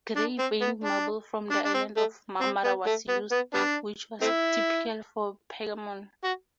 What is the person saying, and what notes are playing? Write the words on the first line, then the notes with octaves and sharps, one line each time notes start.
Grey-veined marble from the island of Marmara was used, which was typical for Pergamon.
D4
C4
B3
D4
D4
D4
C4
A3
C4
B3
A3
B3
B3
G3 B3 D4
A3 C4 E4
F#4